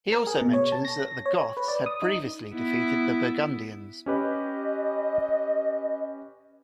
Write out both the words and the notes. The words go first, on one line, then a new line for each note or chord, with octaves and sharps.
He also mentions that the Goths had previously defeated the Burgundians.
A#4
G#4
B2
C#5
A5
A#6
C#5
B4
D5
D#6
D#4
B3 E4
C#4 G4 B4 D#5